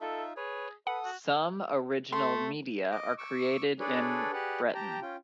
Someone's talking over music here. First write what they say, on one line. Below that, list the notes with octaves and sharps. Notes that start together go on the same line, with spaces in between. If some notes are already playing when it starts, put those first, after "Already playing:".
Some original media are created in Breton.
D#4 F4 A4 E5
G#4 B4 C#5
A4 B4 F#5 D#6
F#4
A3 C6
D#5 D6
C#6 D6 E6
D4 G#4 A4 B4 C#5 D5
G4 G#4 B4 D5 F#5
G4 G5 A5 A#5
C#4 F4 G5